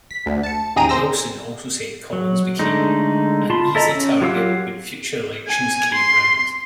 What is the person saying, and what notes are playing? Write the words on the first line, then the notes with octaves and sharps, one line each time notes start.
Wilson also said Collins became "an easy target when future elections came round".
B6
D2
A5 C#7
A1 D#2 G#4 G5 A#5 D#7
C5 E6 A#6
F#3
D3 G#3 A3 D#4
F4 A5 B5 C6
E4 A4 D#5 A#5
C#4 E6
F#3 F4 G4 F5 E6
G#5
C6